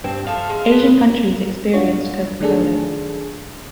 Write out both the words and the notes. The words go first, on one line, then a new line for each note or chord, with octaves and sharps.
Asian countries experienced Coca-Cola.
G2 C4
F3 A4 E5 F5
G#3
B4
D4 F4 F#4 C#5
D#3 A3 D4 G#4 A4